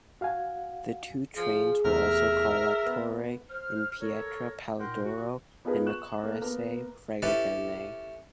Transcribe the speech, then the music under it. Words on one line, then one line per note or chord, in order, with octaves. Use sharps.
The two trains will also call at Torre in Pietra-Palidoro and Maccarese-Fregene.
F#4 F5 F#5 G#5
F3 G#4
E2 C3 A3 A#4 E5
B3
C5 F6
A4 A#4 C#5
A#2 D#4 A#4 F#5 G5 C6
F#4
B3 D#4 F4 G#4 A#4 B4
C#6 F#6 E7
A#3 A4
A#3 B3 A#4
C#4 E4 G4 A4 B4 D5